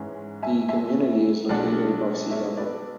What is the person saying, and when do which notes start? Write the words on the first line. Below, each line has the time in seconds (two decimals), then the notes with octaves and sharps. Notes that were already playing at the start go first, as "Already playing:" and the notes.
The community is located above sea-level.
Already playing: G#2 E3 G#3 C#4
0.43 E5 G#5
0.69 E5 G#5
1.49 B1 B2 G#3 D4 D5 F#5
2.30 C#5 E5
2.57 B4 D5